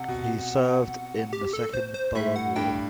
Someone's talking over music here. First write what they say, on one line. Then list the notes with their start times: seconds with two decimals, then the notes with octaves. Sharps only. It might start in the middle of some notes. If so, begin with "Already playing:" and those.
He served in the Second Boer War.
Already playing: C3 F#5
0.08 B2
1.33 G4
1.53 A4
1.74 C5
1.94 C5
2.15 A2 E5
2.36 F#5
2.56 G2 G5